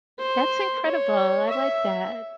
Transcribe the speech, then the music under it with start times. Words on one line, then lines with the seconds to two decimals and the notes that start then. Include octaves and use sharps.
That's incredible, I like that.
0.19 C5
0.85 C#5
1.49 E5